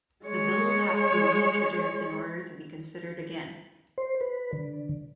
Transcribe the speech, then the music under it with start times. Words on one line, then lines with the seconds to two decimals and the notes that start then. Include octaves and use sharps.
The bill will have to be reintroduced in order to be considered again.
0.25 G#3 C#5
3.98 C5
4.21 B4
4.53 D3